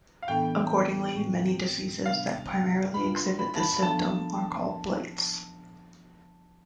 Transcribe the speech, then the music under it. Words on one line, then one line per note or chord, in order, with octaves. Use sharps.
Accordingly, many diseases that primarily exhibit this symptom are called blights.
F5
A2 E3 B3 D4 A4 G5
A2 G3 C4
C3 G3 B3 D4 F5
G3 D4 F4 B4 B5
C6
B5
A5
B5
B5
F3 B3 D4 A4 A5